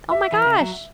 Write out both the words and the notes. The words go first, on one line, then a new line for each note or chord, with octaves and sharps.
Oh my gosh!
E5
E3
C#3
F#3